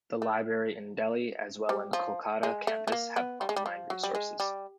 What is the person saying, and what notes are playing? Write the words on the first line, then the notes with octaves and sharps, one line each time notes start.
The library in Delhi as well in Kolkata campus have online resources.
A3
G3
F3
G#3
A3
A3
A#3
B3
G3
G#3
G3
F3
F#3
G3
G#3
G3